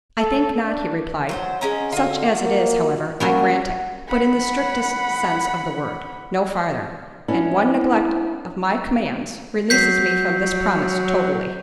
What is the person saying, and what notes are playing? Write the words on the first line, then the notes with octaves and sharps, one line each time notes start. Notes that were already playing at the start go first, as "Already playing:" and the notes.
"I think not," he replied: "such as it is, however, I grant it: but in the strictest sense of the word--no farther--and one neglect of my commands, releases me from this promise totally."
A4
D4
F#3 C5 F#5
G#3 C#4 A#5
D3 F4 F#4
A#3
G3 A#3 C#4 F#4
F#5 B5
B3 C#4 D4 E4
F#3 G6 B6 C7